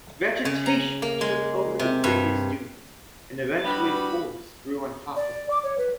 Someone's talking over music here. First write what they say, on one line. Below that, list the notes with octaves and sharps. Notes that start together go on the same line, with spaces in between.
Vegetation took over the previous dunes, and eventually forests grew on top of them.
C#3
A#5
A#3
G#3
C3
G2
G3 B3 D4 F#4 B4 B5
D5
D6
C#5
B4